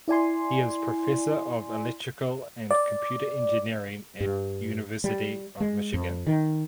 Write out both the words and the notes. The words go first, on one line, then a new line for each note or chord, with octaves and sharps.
He is Professor of Electrical and Computer Engineering at University of Michigan.
E4 D5 G#5 C6
D5
G2
G3
G#3
F2
D#3